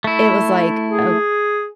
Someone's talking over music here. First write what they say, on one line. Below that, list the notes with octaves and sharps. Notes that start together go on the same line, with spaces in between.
it was like, ok
A3 E4
G#4